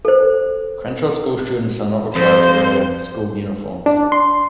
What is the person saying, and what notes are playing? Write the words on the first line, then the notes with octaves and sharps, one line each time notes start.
Crenshaw School students are not required to wear school uniforms.
A4 C5
F2 C5
D4
C6